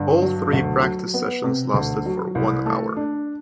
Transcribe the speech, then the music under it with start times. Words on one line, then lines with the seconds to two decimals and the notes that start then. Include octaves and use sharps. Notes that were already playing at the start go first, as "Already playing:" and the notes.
All three practice sessions lasted for one hour.
Already playing: G2 D3
0.22 F#3
0.53 D2
0.82 F#3
1.14 B3
1.43 C3
1.74 D2
2.05 F#3
2.35 C2
2.66 A3
2.96 D4